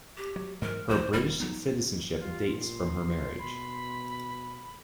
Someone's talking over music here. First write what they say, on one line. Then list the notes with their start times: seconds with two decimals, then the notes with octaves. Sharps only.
Her British citizenship dates from her marriage.
0.17 G4
0.36 F#3
0.62 G#2 E3 F#3 A#4
0.89 B1 F2 E3 C5
1.13 D#1 G3
1.40 F#3 B3 D#4
2.22 G3 F4
2.52 A#2 C6
2.99 B2
3.39 B5